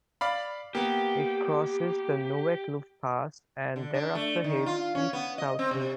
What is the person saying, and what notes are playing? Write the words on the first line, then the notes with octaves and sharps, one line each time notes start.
It crosses the Nuwekloof Pass and thereafter heads east-south-east.
D5 F5 B5
A#3 B3 G4
D3
D4
A3
D#3
F4
C#4
B3
D#5
C4
C3